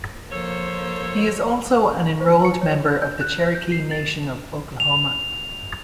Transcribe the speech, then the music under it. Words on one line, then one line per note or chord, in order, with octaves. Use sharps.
He is also an enrolled member of the Cherokee Nation of Oklahoma.
F3 A#3 A4 C5 C#5
C5
C#7
C#5
G6
F#6
C5
G6
C7
A6
F7